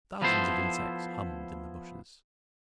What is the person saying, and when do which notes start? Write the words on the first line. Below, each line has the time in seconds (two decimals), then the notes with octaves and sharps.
Thousands of insects hummed in the bushes.
0.22 F3 B3 E4 A4 C5